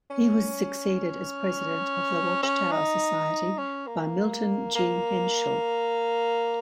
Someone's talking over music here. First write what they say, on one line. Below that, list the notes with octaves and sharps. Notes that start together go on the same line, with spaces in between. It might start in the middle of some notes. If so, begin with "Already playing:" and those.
He was succeeded as president of the Watch Tower Society by Milton G. Henschel.
C#4
C#4
D#4
C#4
A#3
A#3